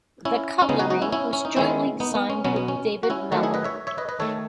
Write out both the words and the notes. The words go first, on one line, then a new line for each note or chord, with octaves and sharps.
The cutlery was jointly designed with David Mellor.
C#4 E4
C#4
C#3 G#3 B3 D#4
D#4 F#4
D#4 F#4
C#4 E4
C#4 E4
C#4
D#4
D#3 G#3 B3 C#4 E4
B3 D#4
B3
C#4
B2 F#3 B3 C#4
B3
C#4
F#4
C#4 E4
D#3 F#3 A3 D#4 F#4
E4 G#4
B4 D#5
C#5 E5
C#5 E5
B4 D#5
B4 D#5
D#3 A3 A4 C#5